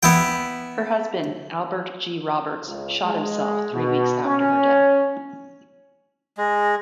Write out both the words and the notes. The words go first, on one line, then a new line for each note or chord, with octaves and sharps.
Her husband, Albert G. Roberts, shot himself three weeks after her death.
B3 E4 G5
C#2
G#3
B2
C#4
G#3